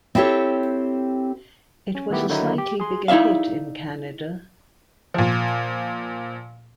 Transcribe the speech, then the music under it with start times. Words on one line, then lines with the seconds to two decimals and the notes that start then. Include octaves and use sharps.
It was a slightly bigger hit in Canada.
0.15 C4 E4 G4 A4 C#5
1.95 C#4
2.10 D#3 A3 B3 E4 G4
2.29 D3 D#3 F#3 D#4 E4
2.58 G4
2.80 G#4 C6
3.08 D#4 E4 D5 E5 F5
5.14 A#2 F3